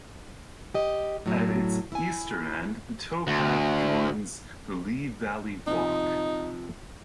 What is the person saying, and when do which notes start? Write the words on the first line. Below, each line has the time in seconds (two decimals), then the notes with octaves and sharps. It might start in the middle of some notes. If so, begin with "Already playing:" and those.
At its eastern end, the towpath joins the Lea Valley Walk.
0.74 G4 D#5
1.26 A2 F#3
1.92 E4 G#5
3.27 D2
5.67 C3 F3 D#4